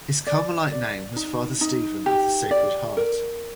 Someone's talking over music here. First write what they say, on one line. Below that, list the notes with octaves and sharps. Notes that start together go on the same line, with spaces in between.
His Carmelite name was Father Stephen of the Sacred Heart.
D5
D5
D#4
D#4
G4
D5
A#4